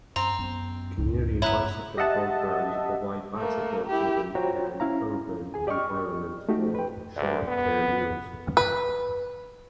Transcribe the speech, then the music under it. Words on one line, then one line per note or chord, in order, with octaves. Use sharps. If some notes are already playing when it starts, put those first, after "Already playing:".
Community bicycle programs provide bicycles within an urban environment for short term use.
F#2 C4 A#5
F#2 B3
C#2 G#2
A3 B3 E4 C#5 A#5 F#6
G4 D#5 E5 F#5 A5
A3 A#3
E4 G4
F4 F#4 C5 C#5 G5 A#5
C#4 E4 F5 A#5
D#2 G#4 G#5
G4 D5 D#5 G5 C#6 F6
A3 D#4 F#4 G4
B4 G5
D2
B3
B4